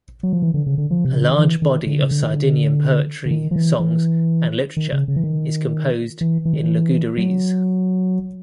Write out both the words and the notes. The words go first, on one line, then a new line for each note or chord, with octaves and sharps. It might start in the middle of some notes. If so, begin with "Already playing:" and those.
A large body of Sardinian poetry, songs and literature is composed in Logudorese.
F#3
F3
E3
D3
C#3
D3
F3
C3
C#3
D3
D#3
E3
D#3
D3
C#3
D3
D#3
D3
D3
D#3
F3
E3
E3
D#3
C#3
C#3
E3
D#3
E3
E3
D#3
E3
F#3